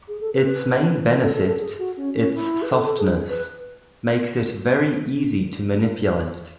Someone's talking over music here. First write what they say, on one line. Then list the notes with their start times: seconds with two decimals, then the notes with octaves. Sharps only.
Its main benefit, its softness, makes it very easy to manipulate.
0.08 G#4
0.21 A4
0.34 B4
0.46 B4
1.22 A4
1.35 A4
1.47 A4
1.60 G#4
1.78 F#4
1.97 C#4
2.16 C#4
2.35 E4
2.62 B4
2.73 A4
2.86 A4
2.98 G#4
3.29 B4